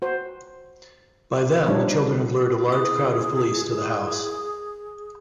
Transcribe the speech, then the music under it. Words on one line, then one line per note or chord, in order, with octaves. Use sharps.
By then, the children have lured a large crowd of police to the house.
F#4 C5
F3 G3 D4 D#4 C#5
E4 G#4 A#4 D#6